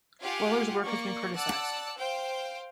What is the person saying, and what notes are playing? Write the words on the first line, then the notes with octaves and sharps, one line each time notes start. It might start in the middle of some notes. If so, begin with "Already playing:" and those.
Wehler's work has been criticized.
F4 G4 F5 F#5 G#5
A#3 D5 C#6
D5 F#5 A5 E6 F#6
C5 F5 G5